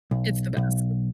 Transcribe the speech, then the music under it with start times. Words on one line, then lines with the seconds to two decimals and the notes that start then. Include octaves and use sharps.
It's the best.
0.11 B1
0.57 B1